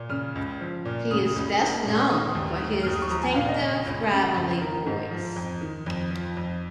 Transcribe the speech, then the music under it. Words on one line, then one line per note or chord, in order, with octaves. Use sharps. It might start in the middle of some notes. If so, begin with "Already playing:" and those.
He is best known for his distinctive gravelly voice.
Already playing: A#2
C#3 F6
C#2
F3
A#2
C#3 D#6
C#2
A#3
A#2
D#3 D#6
D#2
D#3
D#2 F6
D#6
C#6
F3 A#5
G#5
A#2 F5
D#5
C#3 D#5
C#2
C#3
F2
D#3 A#4
G#2
F3
F2
D#3
F2
F3
F2